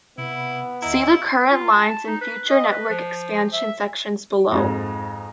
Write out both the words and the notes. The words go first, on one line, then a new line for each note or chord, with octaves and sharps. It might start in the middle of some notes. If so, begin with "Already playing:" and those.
See the Current Lines and Future Network Expansion sections below.
C3 B3 E4
D2 E4 D#5 A#5
F4
A5
D#4
B4
D#5
B4
F3
E5
F2 G#2